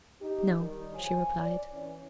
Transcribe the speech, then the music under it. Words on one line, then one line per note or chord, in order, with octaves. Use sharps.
"No," she replied.
D#4 G4
D#3 G3
F3 C#5 G#5
D5
E3 C#4